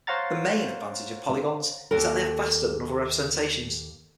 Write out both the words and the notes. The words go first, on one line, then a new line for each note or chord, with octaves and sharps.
The main advantage of polygons is that they are faster than other representations.
C5 C#5 F5 F#5 A#5 A6
D#2 A4 A#4